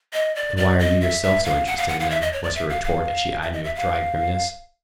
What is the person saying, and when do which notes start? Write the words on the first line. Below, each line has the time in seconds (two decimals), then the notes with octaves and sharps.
"And why are you yourself so interested in them?" was her retort as she eyed me with dry grimness.
0.13 D#5
0.36 D5
0.57 D5
0.79 D#5
1.01 E5
1.23 E5
1.44 F5
1.67 F#5
1.78 F5
1.89 F#5
2.00 F5
2.11 E5
2.22 D#5
2.33 C#5
2.43 D5
2.54 E5
2.69 F5
2.84 F5
3.42 E5
3.53 D#5
3.64 E5
3.75 F5